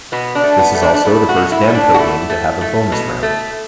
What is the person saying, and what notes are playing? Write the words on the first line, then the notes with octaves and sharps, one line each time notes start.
This is also the first Namco game to have a bonus round.
B2 B3
D4
A3
B3
A3
D4
D4
A3 E4
F#4
B2
E4
A3
D4
F#4
A3 E4
A3
A3
B2
A3